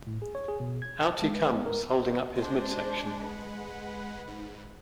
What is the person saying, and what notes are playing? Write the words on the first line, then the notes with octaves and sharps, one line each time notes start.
Out he comes, holding up his midsection.
A2
G#4
C#5
G#4
B2
G#6
A5
G#3
B4
B3
A#4
G#3 D4 C5
B4 F#5
G#2